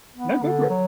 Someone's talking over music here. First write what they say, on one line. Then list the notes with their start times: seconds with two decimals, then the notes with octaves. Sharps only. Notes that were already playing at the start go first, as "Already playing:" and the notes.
No, go for it.
0.16 B3
0.42 D3
0.70 F#3